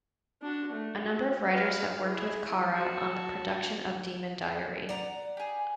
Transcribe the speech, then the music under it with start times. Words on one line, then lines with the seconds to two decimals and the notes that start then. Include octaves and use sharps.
A number of writers have worked with Kara on the production of "Demon Diary".
0.42 D4 F#4
0.72 A3
1.04 F#4
1.48 B4 F5
2.03 E4 G#4
2.72 F#4 A5
4.89 D5 F#5 A#5
5.37 G4 G#4